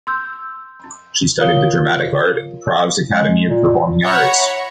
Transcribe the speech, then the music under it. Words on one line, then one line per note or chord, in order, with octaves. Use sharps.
She studied the dramatic art at the Prague's Academy of Performing Arts.
C6 E6 G6
F4 A#4 C#5 F5 D#6 G7
G#3
A#2
C#5 E5 F#5 A#5 B5 C#6